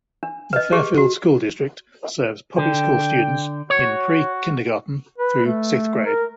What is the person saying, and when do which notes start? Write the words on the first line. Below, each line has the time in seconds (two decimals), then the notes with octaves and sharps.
The Fairfield School District serves public school students in pre-kindergarten through sixth grade.
0.23 D4
0.53 B4 D#5
0.73 G4 G#4
0.98 F#4
2.58 D3 G5
3.70 F#4 C#5
5.18 B4
5.46 A3
6.06 A#4